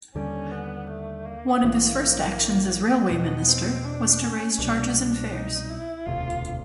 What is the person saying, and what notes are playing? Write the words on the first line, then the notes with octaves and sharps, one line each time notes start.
One of his first actions as Railway Minister was to raise charges and fares.
D#2 D3 G3 C#4
B3
A3
A#3
A#1 G#2 E3 A#3
E2 B2 G#3 B3
C4
D4
C#4
C2 B2 G3 D4
D4
D#4
E4
E1 D2 C3 F4